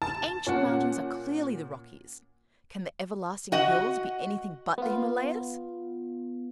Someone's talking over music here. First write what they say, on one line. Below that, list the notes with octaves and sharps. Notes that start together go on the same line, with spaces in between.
The ancient mountains are clearly the Rockies; can the everlasting hills be anything but the Himalayas?
A5
A#2 C#4 F#5
F#4 D#5 F#5
B3 F4